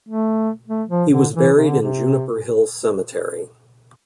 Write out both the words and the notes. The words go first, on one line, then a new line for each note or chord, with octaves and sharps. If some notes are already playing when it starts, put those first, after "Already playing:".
He was buried in Juniper Hill Cemetery.
A3
A3
F3
D3
E3
C3
D3
C3